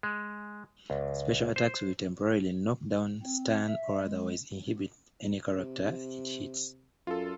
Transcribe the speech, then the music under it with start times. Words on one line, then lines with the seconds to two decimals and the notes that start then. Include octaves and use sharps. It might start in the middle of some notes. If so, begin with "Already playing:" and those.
Special attacks will temporarily knock down, stun, or otherwise inhibit any character it hits.
0.03 G#3
0.90 C#2
1.56 C5
3.23 C4
3.67 E5
4.02 G#3
5.58 C3
7.07 F#2 F4 A4